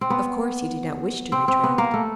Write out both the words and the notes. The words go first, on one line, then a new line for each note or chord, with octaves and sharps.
Of course he did not wish to retract.
C4
B3
C4
C4
B3
A#3
A3